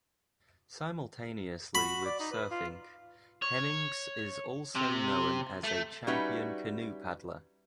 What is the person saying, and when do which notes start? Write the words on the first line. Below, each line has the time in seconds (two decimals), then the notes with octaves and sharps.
Simultaneously with surfing, Hemmings is also known as a champion canoe paddler.
1.75 F#4 B5
2.05 D5
2.20 D#4
2.32 B4
2.51 F4
3.42 C#5
4.75 C3
5.64 A3
6.07 G3 C#4 D#4 F#4 B4 E5